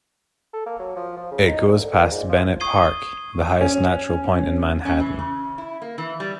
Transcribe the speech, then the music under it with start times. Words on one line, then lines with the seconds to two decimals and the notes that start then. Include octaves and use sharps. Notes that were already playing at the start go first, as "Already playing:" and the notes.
It goes past Bennett Park, the highest natural point in Manhattan.
0.54 A4
0.66 A#3
0.79 F#3
0.96 F3
1.17 F3
1.31 C#3
1.48 D#4
1.68 C2
1.82 D3
1.97 A#2
2.12 G#2
2.29 F3
2.60 C#6 D#6 G#6 C7 D#7 G7
3.61 C#4
4.85 C#4
5.00 E3
5.19 C#3
5.58 E4
5.82 A#3
5.98 E3
6.20 G3